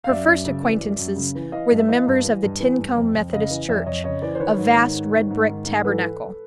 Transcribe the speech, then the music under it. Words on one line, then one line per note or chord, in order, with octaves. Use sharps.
Her first acquaintances were the members of the Tincomb Methodist Church, a vast red-brick tabernacle.
F5
F#2 D5 E5
F#2
C#3
E3
F#2
F#2
C#3
E3
E3 D#5 F5
G2
E5
E3 D#5 F5
G2
E3
G2
E3
G2
F2
F2
C#3 D#5 F5
E3
F2 D5 E5
F2 C#5 D#5
C#3 C#5 D#5
E3 C5 D5
C5
D#3 B4 C#5
G#2
D#3
G#2
D#3
G#2
D#3
G#2
E3 A4 B4